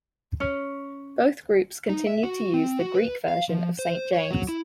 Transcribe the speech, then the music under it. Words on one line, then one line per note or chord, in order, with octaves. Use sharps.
Both groups continued to use the Greek version of Saint James.
C#4
D#4
E5
F#4
C4
F#4
B4
F5
F3
C5
C#5
F#3
E4